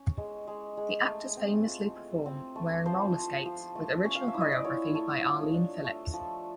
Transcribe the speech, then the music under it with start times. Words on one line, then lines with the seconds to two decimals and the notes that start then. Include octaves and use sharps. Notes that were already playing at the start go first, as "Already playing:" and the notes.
The actors famously perform wearing roller skates, with original choreography by Arlene Phillips.
Already playing: C#4
0.18 G#3
0.47 G#3
0.77 G#3
1.07 A3
1.37 C4
1.67 F4
1.97 A3
2.26 C4
2.56 A3
2.86 F3 C5
3.16 F3
3.46 F3
3.75 A3
4.04 C#4
4.15 F5
4.28 E5
4.34 E4
4.40 D#5
4.52 D5
4.64 F4 C#5
4.95 A3
5.24 F4
5.53 D4
5.84 A3
6.13 F3